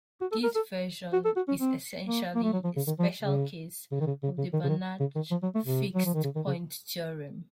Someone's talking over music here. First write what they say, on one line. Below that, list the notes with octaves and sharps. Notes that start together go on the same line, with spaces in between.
This version is essentially a special case of the Banach fixed point theorem.
F#4
A4
A#4
A4
F#4
A4
F#4
C#4
C4
A#3
A#3
A3
F#3
F3
C#3
D#3
F3
C#3
C#3
D#3
C#3
C#3
C#3
D#3
C#3
D#3
C#3
D#3
F3
F#3
A3
C3
F#3
F3
D#3
C#3
D#3
C#3